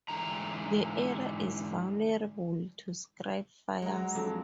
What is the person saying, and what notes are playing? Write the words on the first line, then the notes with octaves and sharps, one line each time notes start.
The area is vulnerable to scrub fires.
G#2 D3 E3 A#5
F#3 G#3 C#5 A#5
F2 D4